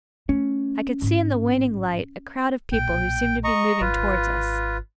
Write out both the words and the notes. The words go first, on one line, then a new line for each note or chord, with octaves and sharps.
I could see in the waning light a crowd of people who seemed to be moving towards us.
A3 C#4
A1 G#2
B1 A#2 G5
D#5 A#5 C#6
G#1 F4 B4